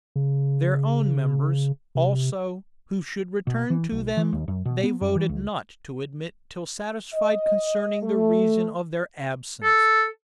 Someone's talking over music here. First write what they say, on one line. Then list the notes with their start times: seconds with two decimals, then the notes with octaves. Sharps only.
Their own members, also, who should return to them, they voted not to admit till satisfied concerning the reason of their absence.
0.16 C#3
1.95 C3
3.47 B2
3.70 E3
3.92 B1
4.17 E3
4.33 D#2
4.48 F#2
4.65 B2
4.84 B3
5.01 F#2
5.15 E3
5.29 C#2
7.13 D#5
8.03 A3
9.63 A4